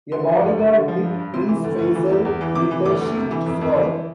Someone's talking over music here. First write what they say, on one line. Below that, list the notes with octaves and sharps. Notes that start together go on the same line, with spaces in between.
A bodyguard hit Prince Faisal with a sheathed sword.
D3 C6
F3
D2
D2
D3
F3
G2
G2
C3 C6
E3
D2
D2
E3
E2
E2
E3
C3 D6
E3
D2 D6
D2
C3
E3
F2
F2
E3